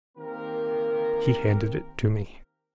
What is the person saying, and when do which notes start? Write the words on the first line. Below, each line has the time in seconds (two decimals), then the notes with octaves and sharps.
He handed it to me.
0.18 D#3 A#3 C4 G4 A#4